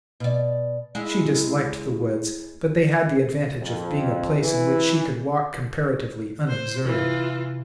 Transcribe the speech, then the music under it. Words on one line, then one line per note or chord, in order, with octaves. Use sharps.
She disliked the woods, but they had the advantage of being a place in which she could walk comparatively unobserved.
B2 D5
G#3 E4
F2
E3
C5
C3 E3 F4